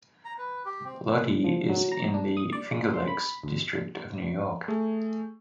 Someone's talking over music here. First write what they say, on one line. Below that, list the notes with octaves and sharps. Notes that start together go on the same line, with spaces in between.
Lodi is in the Finger Lakes District of New York.
A#5
B4
G4
C4
F3
F#3
A#5
D4
D#6
D5
G#3
C6
B5
D2
A3 G#4